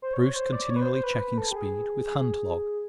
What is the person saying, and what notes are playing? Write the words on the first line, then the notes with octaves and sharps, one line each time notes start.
Bruce continually checking speed with hand log.
C5
C#5
C#5
C5
D5
C#5
B4
C5
C5
B4
A4
G4
G#4
G#4